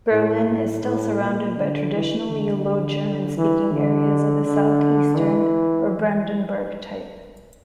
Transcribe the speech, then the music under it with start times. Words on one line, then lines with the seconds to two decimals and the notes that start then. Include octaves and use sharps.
Berlin is still surrounded by traditionally Low-German-speaking areas of the southeastern or Brandenburg type.
0.11 A2
0.48 A2
0.83 A2
1.20 A#2
1.56 D3
1.93 E3
2.29 D3
3.37 E3
3.73 D3
4.46 D3
5.17 E3